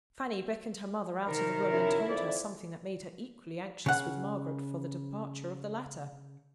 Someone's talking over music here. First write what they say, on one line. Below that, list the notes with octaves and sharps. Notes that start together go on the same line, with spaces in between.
Fanny beckoned her mother out of the room, and told her something that made her equally anxious with Margaret for the departure of the latter.
C3 D#3 A#4
F#2 E4
F2 D5
C#3 F#5